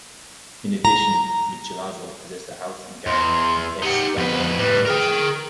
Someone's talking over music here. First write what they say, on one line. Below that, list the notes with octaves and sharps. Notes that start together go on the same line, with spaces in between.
In addition, Michelozzo possessed a house and garden in S. Domino a Brozzi.
A#5
E2 C6
D#4 G4 F#5
F2 B3 B4
A2 G3 B4
G#4 A#4 G5